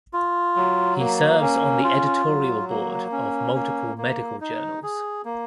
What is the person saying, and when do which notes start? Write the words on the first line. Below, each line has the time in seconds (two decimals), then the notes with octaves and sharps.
He serves on the editorial board of multiple medical journals.
0.13 F4
0.56 F#3
0.99 A#3
1.42 C#4
1.84 F4
2.27 F#3
2.70 A#3
3.12 C#4
3.55 A#3
3.98 A#3
4.41 D#4
4.83 G#4
5.25 A#3